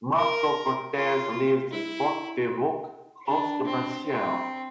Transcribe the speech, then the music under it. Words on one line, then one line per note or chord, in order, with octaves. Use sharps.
Marco Cortes lives in Port-de-Bouc, close to Marseille.
A#4
F4
E4
D4
C4
C4